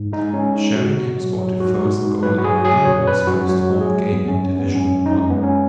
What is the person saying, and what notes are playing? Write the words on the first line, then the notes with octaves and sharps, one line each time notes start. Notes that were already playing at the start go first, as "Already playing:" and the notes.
Sheringham scored the first goal in Millwall's first home game in Division One.
Already playing: G#2
G#3 D#4
G#3 C#4
G#3 D#4
G#2 F#4
G#2
F#3
F#3
G#2 F#4
G#2
G#2
F#3 B4
F#4
F#3 G#4
F#4
F#3 G#4
F#2 C#5
F#2 B4
F#2 F#4
F#3 F#4
F#3
G#4
F#3
F#2 B3
F#2 C#4
C#4
F#2 B3
F#2 C#4
F#2
D#4
G#3 C#4
B3
G#3
C#4